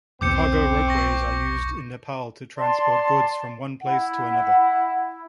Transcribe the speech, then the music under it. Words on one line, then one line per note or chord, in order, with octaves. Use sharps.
Cargo ropeways are used in Nepal to transport goods from one place to another.
E1 B1 E2 C4 D6 G6 C#7
C#6 A#6
D5 A5 C6
E4 F#5